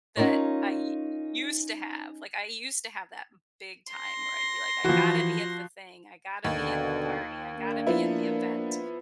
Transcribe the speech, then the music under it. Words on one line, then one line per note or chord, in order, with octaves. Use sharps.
that I u used to have, like, I used to have that big time where I'd be like, "I gotta be at the thing, I gotta be at the party, I gotta be at the event."
C#4 D#4 F4 A#4 C#5
C6 A#6
E3 F3 F#4
D#2 B2 D3
A#3 D4
F3 B3 E4